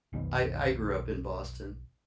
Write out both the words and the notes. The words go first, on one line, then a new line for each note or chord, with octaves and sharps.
I I grew up in Boston.
B1 F2 D#3 B3